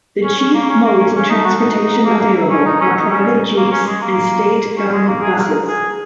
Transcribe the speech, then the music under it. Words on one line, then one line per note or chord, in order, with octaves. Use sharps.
The chief modes of transportation available are private jeeps and state government buses.
C#4
C#4
A#3
C#4
A#3
C#4
C#4
D#4
F#4
D#4
D#4
A#3
A#3
C#4
D#4
C#4
D#4
C#4
A#3
C#4
G#3
A#3
C#4
G#3
A#3
G#4
A#4
G#4